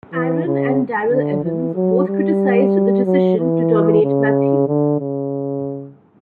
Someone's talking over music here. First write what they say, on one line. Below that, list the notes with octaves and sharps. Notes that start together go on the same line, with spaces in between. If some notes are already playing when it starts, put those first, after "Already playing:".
Aaron and Darrell Evans both criticized the decision to terminate Mathews.
E3
C#3
D3
E3
F#3
G3
F#3
E3
C#3
D3
C#3